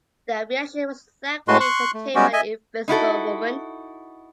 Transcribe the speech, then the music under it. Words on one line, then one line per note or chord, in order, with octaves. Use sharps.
The reaction was thankfully contained by the Invisible Woman.
A2 G#3 A3 F#4 B4 C6
C6 C#6 F#6
A3
G3 G#3 B3 C#4 F#4 G4
D#5 E5 G#5
D#4 E4 F#4 A4